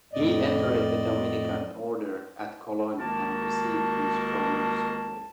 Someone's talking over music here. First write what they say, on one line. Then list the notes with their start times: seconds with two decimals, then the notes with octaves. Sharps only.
He entered the Dominican Order at Cologne and received his formation there.
0.13 F2 A2 D5 D#5
2.99 C#2 D#3 A#3 F#4 A#4 A5